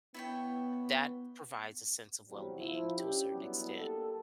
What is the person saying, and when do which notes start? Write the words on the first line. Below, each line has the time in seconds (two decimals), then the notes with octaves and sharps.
that provides a sense of well-being to a certain extent.
0.14 B3 E4 C#5 G5
2.29 E2 C3 F#3 G3 C4
2.58 F3 E4
2.96 C#4 D4 G4
3.33 F#3 G3 B3 D4 E4
3.75 A#3 G4 A4